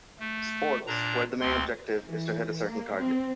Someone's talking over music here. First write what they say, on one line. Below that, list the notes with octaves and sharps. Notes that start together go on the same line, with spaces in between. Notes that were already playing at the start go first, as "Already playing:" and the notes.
Sports where the main objective is to hit a certain target.
A3
A#2 D4 A#5
D2 C4 C6
E3
A#3
C4